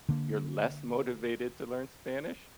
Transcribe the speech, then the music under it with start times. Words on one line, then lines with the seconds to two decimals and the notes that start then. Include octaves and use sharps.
you're less motivated to learn Spanish?
0.09 D3 A#3